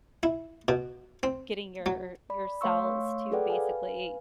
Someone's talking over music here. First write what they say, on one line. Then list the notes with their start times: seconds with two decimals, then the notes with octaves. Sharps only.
getting your your cells to basically
0.23 E4
0.68 B2
1.23 C4
1.86 F#3
2.30 D5 B5
2.61 A3 C#5 F5 C6 C#6 E6
3.32 G#4 A4 B4 D5 F#5 G5
3.50 B4 F5 G#5